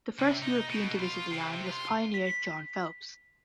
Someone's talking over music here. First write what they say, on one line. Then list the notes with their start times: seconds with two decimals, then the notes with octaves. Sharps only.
The first European to visit the land was pioneer John Phelps.
0.19 C3
0.42 D#4
0.69 B2
0.99 F4
1.31 C3
1.65 F4
2.14 B6